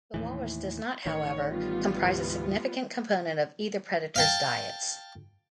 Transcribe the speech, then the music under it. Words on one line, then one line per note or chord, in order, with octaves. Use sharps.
The walrus does not, however, comprise a significant component of either predator's diets.
D#2 A2 E3
A1 D#3 C#5
G3 B3 F4
D2 G#2 E3
F5 G5 A5